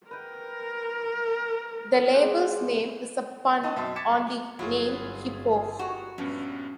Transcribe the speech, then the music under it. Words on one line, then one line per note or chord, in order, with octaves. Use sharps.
The label's name is a pun on the name 'hippo'.
A#4 B4 G5
G#3 G4 F#5
D#4 B4 D#5 A5 C#6
F#2 B2 D#5 E5 A5 A6
D6 G#6 A6 B6 C#7 E7
C2 F#2
G1 F#3 E4 F4 G#4
F#4 G4 A#5
A#1 G2 B3 C#4